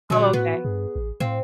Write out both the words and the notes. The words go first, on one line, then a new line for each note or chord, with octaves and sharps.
Oh, okay.
A#2 D3 F#3 F#4
A2 B3
G2 G#4
A1
A2 C4 F5